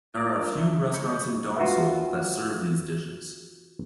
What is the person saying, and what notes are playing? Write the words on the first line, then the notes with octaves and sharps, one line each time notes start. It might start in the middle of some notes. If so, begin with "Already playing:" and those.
There are a few restaurants in Donsol that serve these dishes.
A2 D6
D4 F4 A#4
E5
C#3 G#3 C#5 B5 G6 C#7
F4 F#4 B4 E5